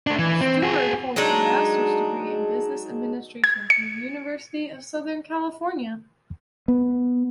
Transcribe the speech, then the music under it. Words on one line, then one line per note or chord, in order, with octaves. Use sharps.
Seward holds a master's degree in business administration from the University of Southern California.
A3 D4
E3
C4
F#4 G#4
F#3 G#3 D4 D#4
G#6
C#7
B3